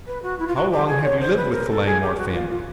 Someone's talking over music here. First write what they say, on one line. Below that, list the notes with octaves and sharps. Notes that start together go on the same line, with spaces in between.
"How long have you lived with the Langmore family?"
B4
F#4
E4
F4
F#4
G4
G#4
C#5
C5
B4
A#4
A4
G#4
G4
F#4
F#4
F4
F4